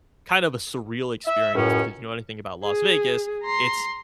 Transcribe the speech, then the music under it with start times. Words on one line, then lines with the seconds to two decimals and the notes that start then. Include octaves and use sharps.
kind of a surreal experience because you know anything about Las Vegas, it's
1.26 E5
1.55 C#2 F#2 A2 C#4
2.63 G#4
3.43 A#5 C6